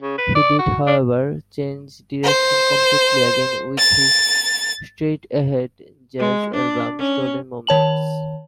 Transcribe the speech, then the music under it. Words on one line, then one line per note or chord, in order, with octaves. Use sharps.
He did however, change direction completely again with his straight-ahead jazz album "Stolen Moments".
C#3
B4
D5
F#4
D4
C5
A6
G#3
D4
C#4
D#3 C#5 A5 F#7